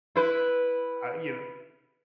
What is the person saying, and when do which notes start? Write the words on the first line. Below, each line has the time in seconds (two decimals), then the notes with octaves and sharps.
uh, you know,
0.16 E4 B4